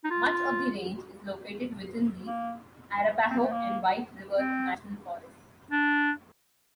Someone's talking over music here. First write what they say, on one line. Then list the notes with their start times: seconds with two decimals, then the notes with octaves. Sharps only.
Much of the range is located within the Arapaho and White River National Forests.
0.04 D#4
0.11 F4
2.24 A#3
3.30 C4
3.38 A#3
3.45 A3
3.52 A#3
4.37 C4
5.71 D4